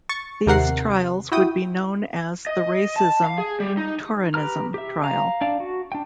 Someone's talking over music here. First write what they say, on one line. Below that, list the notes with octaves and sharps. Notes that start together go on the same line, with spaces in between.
These trials would be known as the Racism-Turanism trial.
C#6 A6
D#2 C3 A#4 F#5 C7
E4 F#4 G5 D#6
D#5
A5
F5
G#4
G3
D#4
G4 B4 A#5 F6
G4 E5
F5 A#5
D4 D5 F5
F#4
D4 G5